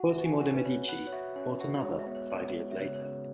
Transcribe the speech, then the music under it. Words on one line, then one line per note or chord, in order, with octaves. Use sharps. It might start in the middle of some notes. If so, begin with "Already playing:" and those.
Cosimo de' Medici bought another five years later.
Already playing: F#4 F#5
E5
F#4
G#5
F#4 F#5
B4
B4 C#5
B4 F#5
C#5
F#4 E5
C#4 C#5
F#4
G#3 C#5
E5
B3
C#5
B3 C#5
G#3
E5
C#3 C#5
C#5
C#3